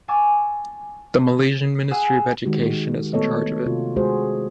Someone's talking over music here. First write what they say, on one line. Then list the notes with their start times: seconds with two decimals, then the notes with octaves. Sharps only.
The Malaysian Ministry of Education is in charge of it.
0.08 G#5 A5 C#6 D6 E6
1.91 G#4 F#5 E6
2.45 D#3 G#3 F#4 G4
3.13 A3 B3 A4 C#5 D#5
3.66 C3 F4 F#4
3.96 G#3 F#4 G#4 C5